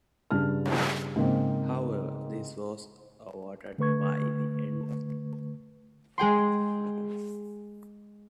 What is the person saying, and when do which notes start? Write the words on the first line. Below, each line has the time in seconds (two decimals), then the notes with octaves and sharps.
However, this was averted by the end of the war.
0.31 G2 C#3 A5 F6
1.16 G#2 C#3 A#3 C4
3.78 D3 A3 B4 C#6 G#6
6.18 G#3 G#4 G5 C6